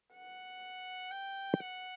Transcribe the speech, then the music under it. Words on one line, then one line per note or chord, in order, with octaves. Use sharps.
Almost all the inhabitants of the capital followed him.
F#5
G5
F#5